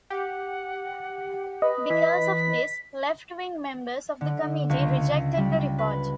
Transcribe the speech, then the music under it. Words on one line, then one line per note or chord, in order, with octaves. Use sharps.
Because of this, left-wing members of the committee rejected the report.
G4 F#5
B4 D#5
E3 B6
D3
C#2
G3
B4